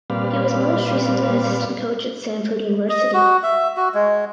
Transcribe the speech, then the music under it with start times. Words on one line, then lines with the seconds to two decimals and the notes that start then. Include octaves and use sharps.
He was most recently an assistant coach at Samford University.
0.10 A#2 G3 C4 B4 D5 F5
2.89 D#5
3.14 F#4
3.43 E5
3.77 F#4
3.94 G#3